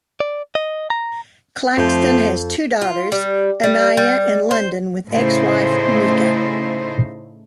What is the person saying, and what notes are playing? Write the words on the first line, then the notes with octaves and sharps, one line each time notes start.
Claxton has two daughters, Aniya and London with ex-wife Meeka.
D5
D#5
A#5
F2 F3 A3 C4 G6
F4
G3
G3
G3
C5
A2 C#3 A3 D#4 E4 C5